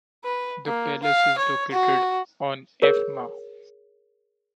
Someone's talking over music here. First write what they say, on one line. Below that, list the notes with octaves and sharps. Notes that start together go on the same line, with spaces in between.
The palace is located on F. Ma.
B4
A#3
F5
C#5
F#4
G#4 A#4 C#5